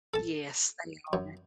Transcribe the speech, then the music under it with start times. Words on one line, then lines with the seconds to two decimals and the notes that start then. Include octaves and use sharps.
Yes, they are.
0.14 A4 A5
1.13 F#2